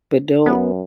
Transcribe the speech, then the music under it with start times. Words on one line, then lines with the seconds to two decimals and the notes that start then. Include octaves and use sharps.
but don't
0.46 F#2 B3